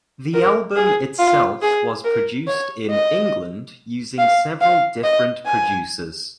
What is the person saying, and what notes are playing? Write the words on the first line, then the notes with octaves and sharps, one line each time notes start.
The album itself was produced in England using several different producers.
A#4
G#4
F4
G#4
A#4
C#5
D#5
F5
F5
D#5
G#5